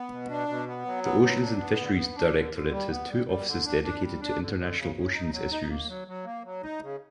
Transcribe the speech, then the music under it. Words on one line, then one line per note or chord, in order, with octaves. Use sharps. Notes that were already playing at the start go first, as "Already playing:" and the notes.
The Oceans and Fisheries Directorate has two offices dedicated to international oceans issues.
Already playing: B3
B2
D4
B2
B3
F#3
B3
F#3
D4
B3
D3
B3
D4
D3
D3
G3
B3
G3
G3
D3
D4
D4
G3
D4
D3
D3
C#3
C#3
D#4
F#3
D#4
A#3
F#3
F#3
A#3
F#3
D#4
C#3